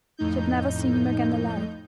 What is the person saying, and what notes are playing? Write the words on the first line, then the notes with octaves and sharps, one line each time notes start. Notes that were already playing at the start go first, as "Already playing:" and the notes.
She had never seen him again alive.
F2 A2 D#4 G6